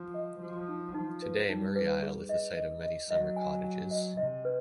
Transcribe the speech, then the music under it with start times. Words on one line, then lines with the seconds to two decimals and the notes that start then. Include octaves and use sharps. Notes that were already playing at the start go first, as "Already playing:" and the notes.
Today Murray Isle is the site of many summer cottages.
Already playing: F3
0.14 D#5
0.40 F3 F#4
0.68 D#4
0.94 F3 D#4
1.22 B4
1.49 G3 D#4
1.76 B4
2.03 G#4
2.29 D#5
2.56 D#5
2.83 D#5
3.10 F#3 D#5
3.36 G#5
3.64 G#5
3.91 D#5
4.17 C3 D#5
4.45 B4